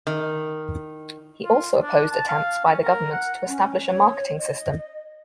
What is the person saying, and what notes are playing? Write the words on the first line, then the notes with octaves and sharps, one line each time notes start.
He also opposed attempts by the government to establish a marketing system.
D#3
F4
D4
A5
F5
C#4
A#4
F#5
C#4
C#5
D#5